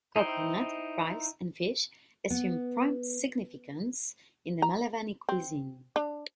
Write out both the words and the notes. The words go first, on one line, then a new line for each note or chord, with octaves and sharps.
Coconut, Rice and Fish assume prime significance in the Malavani cuisine.
D#4 E4 C5 G5
B3
A#5
C4
D4